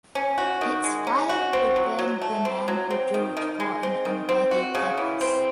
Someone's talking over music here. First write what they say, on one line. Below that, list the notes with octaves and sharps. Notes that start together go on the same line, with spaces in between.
Its fire would burn the man who drew it for an unworthy purpose.
C#4
F#4
D#3
G#3
C#4
F#4
C4
F#3
F#3
A3
C4
F#3
C4
D#3
D#3
G#3
C4
D#3
C4
F#4
C#3
E3
C4